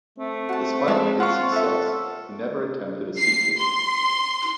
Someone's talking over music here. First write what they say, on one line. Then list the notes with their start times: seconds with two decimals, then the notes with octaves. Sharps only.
Despite its success, he never attempted a sequel.
0.18 A3 C4
0.49 F#4 A5
0.88 G#3 E5 A5
1.20 C4 F4 F#5 C#6
1.52 F4 A4 E5
3.19 C7
3.58 C6